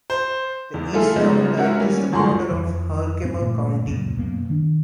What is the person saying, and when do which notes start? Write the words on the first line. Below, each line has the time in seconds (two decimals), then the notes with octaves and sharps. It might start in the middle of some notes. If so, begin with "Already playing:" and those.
The east town line is the border of Herkimer County.
0.10 C5
0.74 E2
0.93 F3 A3 E4 F4 G#4 A4
1.16 G#2 C#3 F3 G#3 B3 D#4
1.57 G#2 C#4 F#4 A#4 E5 F#5
1.80 G3 A#3 C#4
2.12 G1 C#2 F#2 G#4 C6 C#6
2.51 F2 E3
3.23 G2 C4
3.40 G1 A#2 A3
3.87 C#2 F#2 A#2
4.15 F#2 B2 A#3
4.50 D#3 D4